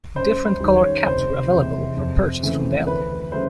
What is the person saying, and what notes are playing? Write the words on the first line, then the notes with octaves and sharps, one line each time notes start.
Different color caps were available for purchase from Dell.
F#2 C5
C5
D#3 G3
C#5
F1 C5
E2 C3
F2
C#3 E3 A3
D2 B4
C#3 F#3 A3 C5